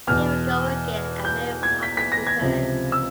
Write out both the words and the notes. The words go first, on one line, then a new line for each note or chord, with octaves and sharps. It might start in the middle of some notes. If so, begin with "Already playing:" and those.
Here We Go Again and Mary Poppins Returns.
E2 B2 F6
G6
G#6
B6
B6
A#6
G#6
C#2 C3 F3
E6